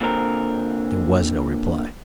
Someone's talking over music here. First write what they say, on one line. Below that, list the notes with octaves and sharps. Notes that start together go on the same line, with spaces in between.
There was no reply.
A#2 D3 C4 A#4